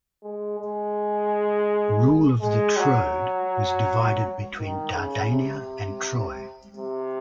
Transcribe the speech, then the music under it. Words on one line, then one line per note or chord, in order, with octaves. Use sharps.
Rule of the Troad was divided between Dardania and Troy.
G#3
G#3
G#3
F#3
D#3
C#3
C3
C3